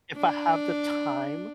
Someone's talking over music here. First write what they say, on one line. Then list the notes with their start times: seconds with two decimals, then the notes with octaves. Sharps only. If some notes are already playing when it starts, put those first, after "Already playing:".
If I have the time,
0.16 D4